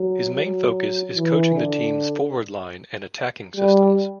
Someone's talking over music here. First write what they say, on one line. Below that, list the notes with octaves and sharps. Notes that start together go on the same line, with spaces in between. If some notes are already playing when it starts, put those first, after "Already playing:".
His main focus is coaching the team's forward line and attacking systems.
Already playing: F#3
F#3
E3
D3
G3